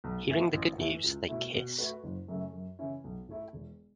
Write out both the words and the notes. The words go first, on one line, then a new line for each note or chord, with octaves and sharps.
Hearing the good news they kiss.
B1
A2 E3 B3
A1
A2 E3
C#2
B2 A3 E4
B2
A3 F#4 B4
F#1
F#2 C#3 A3
F#2
C#3 E3 C#4 E4
B1
A2 A3 E4 A4
E1